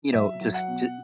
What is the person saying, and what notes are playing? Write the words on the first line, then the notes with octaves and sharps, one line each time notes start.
you know, just ju
F#3 E5
F#3
F#5
B2